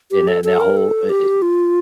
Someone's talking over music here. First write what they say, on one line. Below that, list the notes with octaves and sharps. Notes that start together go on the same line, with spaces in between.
in that that whole, eh eh
G4
A4
A4
A#4
A4
G4
F4